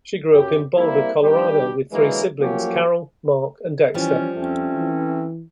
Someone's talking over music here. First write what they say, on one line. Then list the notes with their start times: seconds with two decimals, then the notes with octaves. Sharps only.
She grew up in Boulder, Colorado, with three siblings: Carol, Mark and Dexter.
0.32 F#2 C#3 G4
0.77 G3 A#3 C4 E4
1.22 D#3 G3 B3 D4 G4
1.92 D3 E3 F#3 G#3 A#3 C#4
2.41 F3 F#3 A3 A#3 C#4 G4
3.94 E3 F3 G3 C#4
4.37 F2 A3 C4 C#4
4.75 E3